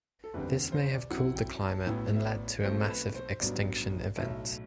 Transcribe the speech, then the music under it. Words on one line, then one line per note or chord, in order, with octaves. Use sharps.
This may have cooled the climate and led to a massive extinction event.
A4
F#1 E2 D3 G3 C4 B4
C5
D5
F#2 F#3 C4 E4 F#5
G5
A5
A1 A2 F#3 B3 E4 G5
E5
D5
B1 B2 A3 C4 C5
A4
B4
C5
A1 G2 F#3 B3 D5
B1 A2 F#3 E5